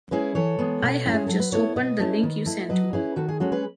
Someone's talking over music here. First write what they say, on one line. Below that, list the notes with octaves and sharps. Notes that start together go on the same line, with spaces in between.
I have just opened the link you sent me.
G#3 C#4 E4 G#4 B4
E3 A4 C#5
G#3 B3
B2
G#3 C#4 E4
G#4
F#3 A4
B4
B3 E4 A4 C#5
B2 B4 D#5
A3 C#4 E4
D#3
A3 E4
F#3 B4 D#5
C#4 E4 G#4 B4
D#3 F#4 A4
G#4
G#3 C#4 F#4 A4
G#4 B4